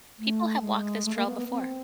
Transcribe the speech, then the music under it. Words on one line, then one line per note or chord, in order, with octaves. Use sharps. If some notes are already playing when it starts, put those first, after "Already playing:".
People have walked this trail before.
A3
G#3
A3
A#3
B3
B3
C4